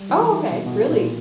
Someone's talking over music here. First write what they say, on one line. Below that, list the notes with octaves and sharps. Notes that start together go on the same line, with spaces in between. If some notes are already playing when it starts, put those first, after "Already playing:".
Oh, okay. Really?
Already playing: G3
E3
E3
D#3
B2
B2
A#2
A#2